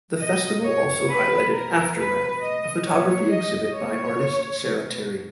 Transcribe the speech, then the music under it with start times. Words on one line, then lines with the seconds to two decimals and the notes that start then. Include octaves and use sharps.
The festival also highlighted "Aftermath," a photography exhibit by artist Sara Terry.
0.19 B2 D#5
0.64 C#5
1.08 B2 B4
1.52 A#4
1.96 B2 B4
2.40 D#5
2.85 A#2 C#5
3.29 D#5
3.73 A#2 C#5
4.62 B2